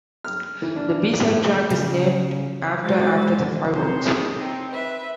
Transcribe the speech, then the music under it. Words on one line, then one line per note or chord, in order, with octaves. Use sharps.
The B-side track is named "After, After the Fireworks".
F6
E3
D4
A2
C#3
G#3 F#4 C5 A6
D3
C3 D#4 C5 C#5
G#4
C4 D#4
B4 E5